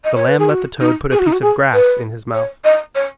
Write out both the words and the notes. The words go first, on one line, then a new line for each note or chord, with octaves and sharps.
The lamb let the toad put a piece of grass in his mouth.
D#5
C#5
B4
G#4
F#4
D#4
G#4
F#4
D#4
F#4
G#4
B4
C#5
D#5
C#5